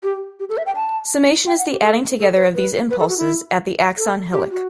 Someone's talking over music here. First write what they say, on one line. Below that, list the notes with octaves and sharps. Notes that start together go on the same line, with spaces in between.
Summation is the adding together of these impulses at the axon hillock.
G4
G4
A4
E5
G5
A5
G5
F#5
G4
A4
A4
C5
B4
B4
A4
F#4
E4
A4
G4
F#4